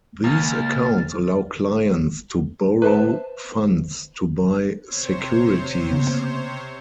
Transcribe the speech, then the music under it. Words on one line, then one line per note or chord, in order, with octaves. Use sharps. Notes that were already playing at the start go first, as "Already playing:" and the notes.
These accounts allow clients to borrow funds to buy securities.
C#2 A#3 F5 G#5 F6 A6
B4 C5 E5 A5
C3 C5 C#5
C#3 A#3 B3